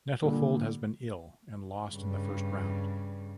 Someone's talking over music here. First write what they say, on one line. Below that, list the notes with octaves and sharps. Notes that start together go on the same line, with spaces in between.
Nettlefold had been ill and lost in the first round.
A#2 D3 G3
G2 C#3